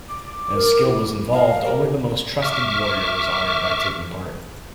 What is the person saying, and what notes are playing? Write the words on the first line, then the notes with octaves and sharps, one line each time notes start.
As skill was involved, only the most trusted warrior was honored by taking part.
D6
A#4
E4
D#5 F5
G4 A#4
E5 C#6 D6 F6